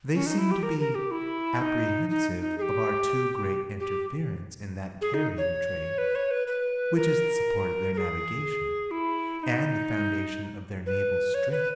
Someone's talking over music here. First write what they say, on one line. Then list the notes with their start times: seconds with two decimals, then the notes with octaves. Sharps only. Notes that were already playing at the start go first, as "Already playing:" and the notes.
They seem to be apprehensive of our too great interference in that carrying trade, which is the support of their navigation and the foundation of their naval strength.
0.14 C#4
0.26 D#4
0.38 E4
0.51 G4
0.63 A#4
0.79 A#4
0.95 G4
1.11 E4
1.60 D#4
2.10 D#4
2.41 D#4
2.58 G#4
2.62 G4
3.80 G4
5.01 G#4
5.14 D#4
5.38 C#5
5.98 B4
6.15 C#5
6.31 B4
6.47 B4
6.96 A#4
7.94 A#4
7.97 G#4
8.91 E4
9.40 E4
9.43 D#4
10.86 B4
11.34 C#5
11.51 B4